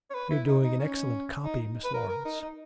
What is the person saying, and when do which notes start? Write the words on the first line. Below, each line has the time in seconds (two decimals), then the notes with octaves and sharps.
'You're doing an excellent copy, Miss Laurence.'
0.10 C#5
0.14 B4
0.30 E4
0.47 D#4
0.63 D#4
0.80 C#4
1.44 D#4
1.84 B4
1.94 A#4
2.09 A#4
2.25 D#4
2.42 D#4